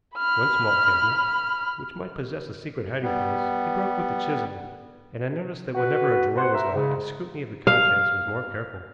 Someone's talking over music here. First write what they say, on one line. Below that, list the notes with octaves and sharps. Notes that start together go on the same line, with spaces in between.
One small cabinet, which might possess a secret hiding-place, he broke with the chisel, and I noticed that whenever a drawer was locked his scrutiny of the contents was more careful.
B5 F6
G3 B3
F#4 B4
C5 F#5
A#4 E5
G#2 C#3
F5